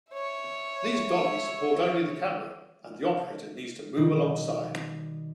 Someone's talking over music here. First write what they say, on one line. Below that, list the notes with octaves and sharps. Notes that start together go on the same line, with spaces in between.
These dollies support only the camera, and the operator needs to move alongside.
C#5 E5
B2 D#3 G3